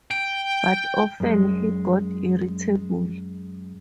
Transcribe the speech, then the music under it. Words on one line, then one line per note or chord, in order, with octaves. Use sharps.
But often he got irritable.
G5
F#2 G#3